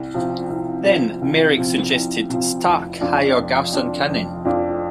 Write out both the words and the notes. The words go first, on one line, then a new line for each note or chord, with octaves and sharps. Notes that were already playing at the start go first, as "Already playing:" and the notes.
Then Merrick suggested Stark hire Garson Kanin.
Already playing: C2
C3 F3
C2
C3 F3
C2
C3 F3
C2
C3 F3
F1
F2 F3 D4 F4
F1
F2 F3 D4 F4
F1
F2 F3 D4 F4